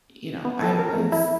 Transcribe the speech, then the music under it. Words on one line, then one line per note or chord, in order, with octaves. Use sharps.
you know, I was,
B3
A4
A#4
A3
E4